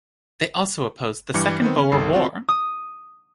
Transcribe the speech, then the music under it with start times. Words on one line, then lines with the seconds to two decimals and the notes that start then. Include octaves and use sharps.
They also opposed the Second Boer War.
1.34 G2 E3 G3 D6 F6 C#7
1.62 D#3 B3 C4
1.78 C#4
1.92 G1 C2 D#3 A4 C7
2.13 C4 F4 F#4
2.49 D#6